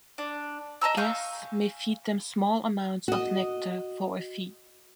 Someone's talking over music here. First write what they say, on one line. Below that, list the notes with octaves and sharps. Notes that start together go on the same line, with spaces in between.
Guests may feed them small amounts of nectar for a fee.
D4
D#5 A5 A#5 E6
F5 G#5 C#6 G6
F#4 D#5